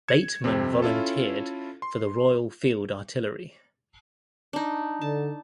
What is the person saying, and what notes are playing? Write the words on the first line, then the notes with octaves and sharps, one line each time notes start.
Bateman volunteered for the Royal Field Artillery.
G#6 C#7 E7
F2 C3 C4
C#4 E4 F4 A4
C6
D4 D#4
D3 A5